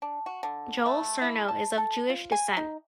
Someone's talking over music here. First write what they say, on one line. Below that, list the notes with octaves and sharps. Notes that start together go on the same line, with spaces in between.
Joel Surnow is of Jewish descent.
D4
F#4
D3
A3
E4
A5
A4
F4
G#5
D#4